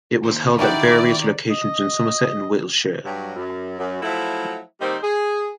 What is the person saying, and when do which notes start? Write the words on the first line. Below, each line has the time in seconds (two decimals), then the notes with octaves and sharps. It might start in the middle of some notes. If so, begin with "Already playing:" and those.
It was held at various locations in Somerset and Wiltshire.
0.24 D#2 C5
0.59 D#3 D#4 E4 F#4 G4 D5
1.51 D#5
3.04 G2 F#3
3.36 F#2
3.79 F#2
4.02 F3 F#3 A3 E4
4.80 D#3 G3 A#3 C4 D#4 C5
5.02 G#4